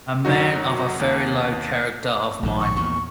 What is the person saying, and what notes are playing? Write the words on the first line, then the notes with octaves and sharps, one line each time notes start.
A man of a very low character of mind.
F#2 F#3 D#4 F#4
D#2
A#1 G#2 D#3
C#6
E2 A#2